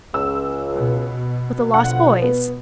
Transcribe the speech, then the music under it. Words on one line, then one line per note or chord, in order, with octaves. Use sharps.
"With the lost boys."
C#2 E6
B2
D3 F3 F#5
B3